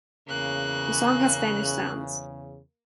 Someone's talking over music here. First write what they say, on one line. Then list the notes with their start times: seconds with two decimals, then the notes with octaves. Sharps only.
The song has Spanish sounds.
0.28 E2 C#3 A#3 F#6